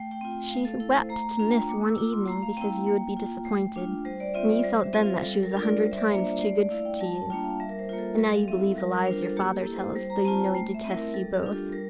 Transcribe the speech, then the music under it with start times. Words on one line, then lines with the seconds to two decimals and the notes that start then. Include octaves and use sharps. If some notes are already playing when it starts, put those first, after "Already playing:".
She wept to miss one evening, because you would be disappointed; and you felt then that she was a hundred times too good to you: and now you believe the lies your father tells, though you know he detests you both.
Already playing: A3 G5
0.11 G5
0.21 C4 F4
0.31 G5
0.50 A3 F5
0.65 A4
0.80 E4 A4
0.95 C5
1.09 A3 A#5
1.30 A#5
1.39 D4 F4
1.49 G5
1.69 A#3 D6
1.84 E6
1.98 F4 D6
2.13 C6
2.28 A3 A#5
2.42 F5
2.57 C4 E4 G5
2.72 G5
2.87 A#3
3.17 F4
3.45 A3
3.76 D4 F4
4.05 G3 C5
4.20 D5
4.34 C4 F4 E5
4.49 D5
4.63 G3 C5
4.84 E5
4.94 C4 F4
5.03 F5
5.23 G3 A4
5.43 A#4
5.53 D4 F4
5.62 D5
5.82 G3 C5
5.92 E5
5.97 D5
6.11 A#3 D4 F4 E5
6.26 E5
6.41 A3 D5
6.55 D5
6.70 E4 F5
6.85 G5
7.01 G3 A5
7.15 A5
7.30 A#3 D4 F4 G5
7.44 F5
7.60 G3 E5
7.69 A#4
7.79 C5
7.89 A#3 F4
7.98 A4
8.18 G3 A4
8.34 F5
8.48 C4 E4 E5
8.77 G3 A#4
8.92 A#4
9.06 D4 F4 C5
9.22 A4
9.37 A#3 G4
9.56 A4
9.66 E4
9.76 C5
9.95 G3 C5
10.10 A#5
10.25 C4 F4 A5
10.40 G5
10.55 A3
10.74 E5
10.84 C4 E4
10.95 A#4
11.14 G3 A4
11.34 G4
11.43 D4 F4
11.53 A4
11.72 G3 A#4